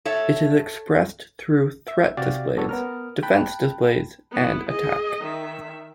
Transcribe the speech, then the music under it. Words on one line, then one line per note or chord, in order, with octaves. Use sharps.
It is expressed through threat displays, defense displays, and attack.
A4 C#5 E5
E5
C3 F#4 G4 D5 F5 A6
G3 B3 D4 A4 C#5
B3 A#4 F6
G5 A5 B5 F#6
B3 E4
G#4 D#5
D#3 E5